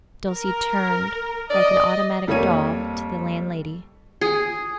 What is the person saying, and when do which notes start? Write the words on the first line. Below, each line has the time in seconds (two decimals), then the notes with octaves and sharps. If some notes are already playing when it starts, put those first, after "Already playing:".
Dulcie turned like an automatic doll to the landlady.
0.28 A#4
1.50 D5 D#5
2.27 F2 G3 A#3 C#5 G#6 D#7
4.21 G#4